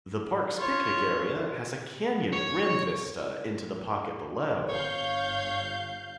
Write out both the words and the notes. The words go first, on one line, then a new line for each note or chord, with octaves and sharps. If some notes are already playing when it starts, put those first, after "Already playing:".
The park's picnic area has a canyon rim vista into the pocket below.
F4 C#5
C#5
G1 C#5 F5 G6